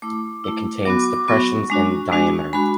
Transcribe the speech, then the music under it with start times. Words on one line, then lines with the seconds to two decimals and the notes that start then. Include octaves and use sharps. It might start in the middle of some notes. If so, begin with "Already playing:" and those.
It contains depressions in diameter.
0.02 A3 E4 D6
0.44 A3 E4
0.85 F#3 B3 F#4 D6
1.00 D6
1.13 D6
1.28 F#3 B3 F#4 C#6
1.70 G#3 D4 F#4
2.12 G#3 D4 F#4
2.53 G#3 D4 F#4 B5